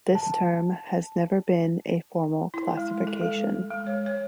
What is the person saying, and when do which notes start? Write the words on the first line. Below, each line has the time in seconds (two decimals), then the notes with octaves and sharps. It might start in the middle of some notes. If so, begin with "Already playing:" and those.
This term has never been a formal classification.
0.15 A5
2.54 E4
2.77 G#3
3.07 A4
3.21 G#3
3.71 G#3
3.87 C#5
4.06 C#5